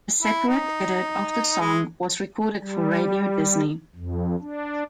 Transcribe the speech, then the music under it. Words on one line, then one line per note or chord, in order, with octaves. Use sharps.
A separate edit of the song was recorded for Radio Disney.
E4
D#4
G#3
G3
F2
D4